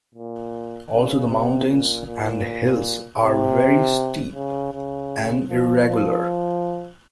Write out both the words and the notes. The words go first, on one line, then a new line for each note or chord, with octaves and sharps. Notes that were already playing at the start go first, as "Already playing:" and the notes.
Also the mountains and hills are very steep and irregular.
A#2
C#3
C3
A#2
A#2
C3
C#3
C#3
F3
F3